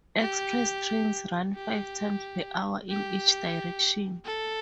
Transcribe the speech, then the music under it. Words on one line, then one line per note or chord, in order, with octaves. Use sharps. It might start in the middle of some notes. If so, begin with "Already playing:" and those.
Express trains run five times per hour in each direction.
G4
G4
G4
A4